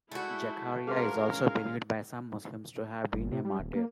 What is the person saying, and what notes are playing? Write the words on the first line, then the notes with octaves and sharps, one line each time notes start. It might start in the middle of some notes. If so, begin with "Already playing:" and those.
Zechariah is also believed by some Muslims to have been a martyr.
G#3 A3 E4 F#4
G#3 C#4 F4 G#4 A#4 B4 F5 C6
G1
C3
G3
D#1
A#3